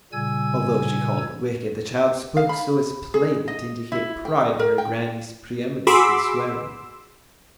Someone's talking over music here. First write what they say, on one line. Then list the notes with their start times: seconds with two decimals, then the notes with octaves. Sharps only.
Although she called her wicked, the child spoke so as plainly to indicate pride in her grannie's pre-eminence in swearing.
0.13 A#2 C#3 G3 G#5 E6 G#6
2.37 F5
2.49 B5
3.14 G#4
3.48 D#5
3.92 E4
4.25 G5
4.59 A#4
4.78 G5
5.87 F#4 G#4 B5 C6 D6 E6